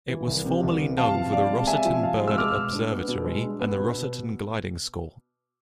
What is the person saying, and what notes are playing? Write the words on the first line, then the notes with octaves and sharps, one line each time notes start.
It was formerly known for the Rossitten Bird Observatory and the Rossitten gliding school.
E3
C2
C3
C2
E3
C3 F5 A5
F3
C3 D5 F5
G#3 A5
C3 E5 G#5
F3
C3 F5 A5
G#3
E6
B2 D6 F6
G#3
D4
B3
B2
G#3
D4
B3
B2